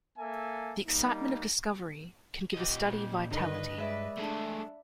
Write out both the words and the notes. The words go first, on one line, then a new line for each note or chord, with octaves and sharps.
The excitement of discovery can give a study vitality.
A#3 A4 E5 G#5
G3 A#3 D#4
A#2 G4 D#5
G2 D3 D#3 B4 D#5
G#3 D5 E5 B5
A3 D4 G#4